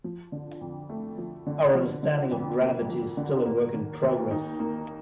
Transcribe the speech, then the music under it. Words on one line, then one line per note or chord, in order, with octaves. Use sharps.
Our understanding of gravity is still a work in progress.
F3
D3
F2
A3
F3
D3
F3
D3
F2
A#3
F3
D3
A#3
D#3
D#2
D#4
A#3